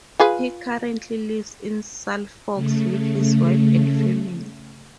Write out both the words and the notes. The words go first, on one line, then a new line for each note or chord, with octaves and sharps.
He currently lives in Suffolk with his wife and family.
F4 G#4 B4
C#3 A3